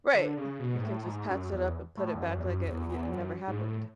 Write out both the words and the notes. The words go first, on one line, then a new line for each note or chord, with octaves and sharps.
Right. You can just patch it up and put it back like it y it never happened
D3
C#3
B2
G#2
A2
G#2
F#2
E2
A2
E2
F#2
E2
F#2
E2
E2
F#2
G#2
A2